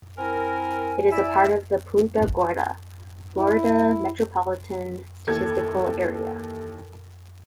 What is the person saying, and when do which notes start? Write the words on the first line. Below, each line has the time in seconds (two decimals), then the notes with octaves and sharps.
It is part of the Punta Gorda, Florida Metropolitan Statistical Area.
0.18 C4 E4 A#4 G#5
1.12 E4 D5 E5
3.37 E4
5.27 D#2 E3 A4 G#6